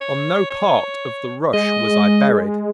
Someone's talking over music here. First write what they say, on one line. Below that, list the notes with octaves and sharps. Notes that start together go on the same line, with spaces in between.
On no part of the rush was I buried.
C#5
C#5
G#3 D#5